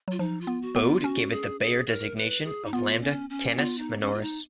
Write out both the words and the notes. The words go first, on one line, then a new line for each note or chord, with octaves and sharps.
Bode gave it the Bayer designation of Lambda Canis Minoris.
F#3 F4
F3 D#4
F4
B3
F#4
B3
F4
C#4 F#4
G#4
G#4
A#4
B4
G#4
D#4
B3 F4
C#4
C#4
B3 F4
D#4
C#4
F4
D#4